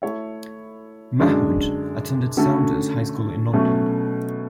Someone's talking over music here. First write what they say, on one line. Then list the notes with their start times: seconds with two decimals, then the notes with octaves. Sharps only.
Mahood attended Saunders High School in London.
0.02 A3 E4 A4 C#5 E5
1.19 F#2 D3 G#3 D4 F#4
2.37 D3 A3 C#4 F#4 A4
3.53 B2 F#3 A3 C#4